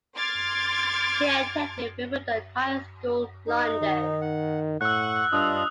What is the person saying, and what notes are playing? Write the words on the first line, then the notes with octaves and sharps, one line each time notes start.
She attended Wimbledon High School, London.
C6 D6 F6 G#6 A6
D#4
D#3
F#5
A2 F#5 C#6 E6 F#6
G2 D4 F4 D#5 D#6 E6